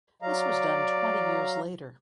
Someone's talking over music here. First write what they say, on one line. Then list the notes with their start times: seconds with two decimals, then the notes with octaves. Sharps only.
This was done twenty years later.
0.22 F#3 D5 F5 A#5